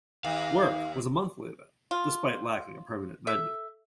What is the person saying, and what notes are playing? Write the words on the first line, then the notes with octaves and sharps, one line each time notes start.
"Work" was a monthly event, despite lacking a permanent venue.
D#2 F5
F4
A4 E5 E6